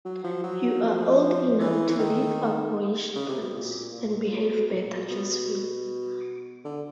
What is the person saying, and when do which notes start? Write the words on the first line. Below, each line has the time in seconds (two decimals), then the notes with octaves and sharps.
You are old enough to leave off boyish tricks, and behave better, Josephine.
0.05 F#3
0.24 F3
0.44 F#3
0.82 F3
1.60 E3
1.89 E3
1.99 D#3
3.15 C#3
3.28 C3
3.41 B2
3.54 A#2
3.93 A#2
4.32 B2
4.71 A#2
5.10 B2
6.65 D3